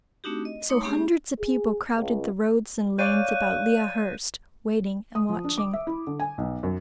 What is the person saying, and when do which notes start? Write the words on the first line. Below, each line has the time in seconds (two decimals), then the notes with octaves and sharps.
So hundreds of people crowded the roads and lanes about Lea Hurst, waiting and watching.
0.24 A3 C4 D4 D#4 F#4 G4
0.45 D#5
0.69 A3 D#4 C#5 C6 D6 D#6
0.82 G#3 A#3 C#4 G4 G#4
1.39 G#4
1.94 C#2
2.98 C#5 D5 F5 F#6 G6 D#7
3.36 F#6
5.15 D#6
5.29 F3
5.44 D4
5.58 D6
5.73 E5
5.87 E4
6.07 D3
6.20 G#5
6.38 B1
6.63 F#2